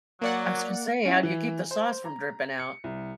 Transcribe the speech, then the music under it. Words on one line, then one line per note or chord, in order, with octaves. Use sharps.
I was gonna say, how do you keep the sauce from dripping out?
F#3 A#3 D5 F#5
C#4 E4
E3
C5
A#5
C#7
C2